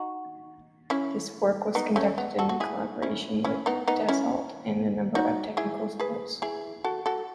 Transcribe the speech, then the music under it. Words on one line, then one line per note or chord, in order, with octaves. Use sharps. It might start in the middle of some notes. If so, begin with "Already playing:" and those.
This work was conducted in collaboration with Dassault and a number of technical schools.
Already playing: D#4 F#4
C#4 E4
B3 D#4
A3 C#4
B3
F#4 A4
F#4
E4 G#4
C#4 E4
C#4 E4
B3 D#4
B3 D#4
C#4 E4
D#4 F#4
E4 G#4
G#4 B4
E4 G#4
F#4 A4
F#4 A4